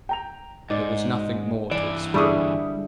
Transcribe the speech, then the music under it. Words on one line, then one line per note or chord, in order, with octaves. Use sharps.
There was nothing more to explore.
G5 A#5 F7
G#2 D#4 D5
G2 E3 D5
D3 G3 D4 E4 G#4 B5 C#6 D#6